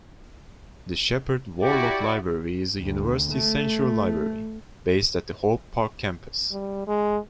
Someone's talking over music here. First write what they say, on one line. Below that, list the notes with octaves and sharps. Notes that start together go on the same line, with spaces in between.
The Sheppard-Worlock Library is the university's central library, based at the Hope Park campus.
E4 F#4 G4 D5
D2
A3
G3
G#3